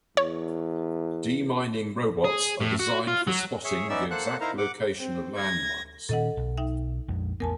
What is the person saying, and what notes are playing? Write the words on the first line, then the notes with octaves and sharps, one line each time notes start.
Demining robots are designed for spotting the exact location of land mines.
E2 C#5
G#4
A2
F#4
F4
F#3
G#4 C#5 E5
B3 C#4 D#4 D5 E5 E6
A#3 A4 C5 F#5 F#6
D#4 E4 A#4 C5 F5 A#5
F#5 D6
C4
G#6 A#6
A#2 D#3 C#4 A4 D#5 F#5
B1
D#4 E5 G5
A#1 F2 G#3
A1 E2 B3 A#4 G#5 A5